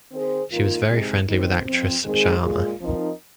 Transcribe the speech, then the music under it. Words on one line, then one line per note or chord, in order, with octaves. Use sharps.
She was very friendly with actress Shyama.
D#3 C4 G#4 C5
G#2 D#3 A#3 F4 A#4
C3 G#3 D#4 G#4
D#2 D#3 C4 D#4
F2 F3 C4
D#3 G#3 C4 G#4
A#2 G#3 F4 G#4
F3 C4 D#4 A#4